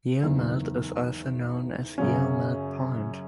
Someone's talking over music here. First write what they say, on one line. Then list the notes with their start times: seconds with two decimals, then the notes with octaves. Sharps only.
Yeomalt is also known as Yeomalt Point.
0.23 F#1 E2 D#3
1.98 F#2 C#3 F#3 C#4